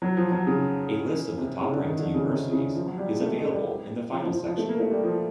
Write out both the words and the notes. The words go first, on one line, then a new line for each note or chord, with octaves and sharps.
A list of top ranked universities is available in the final section.
F#3
F3
F#3
C#3
C3
C#3
D3
D#3
D3
C#3
C3
C#3
F3
F#3
G3
G#3
A3
G#3
G3
G3
F3
F3
F3
F3
A3
A#3
A3
G3
F3